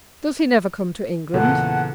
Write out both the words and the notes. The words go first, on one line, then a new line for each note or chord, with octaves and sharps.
Does he never come to England?'
E2 A#2 C#3 A4 F#5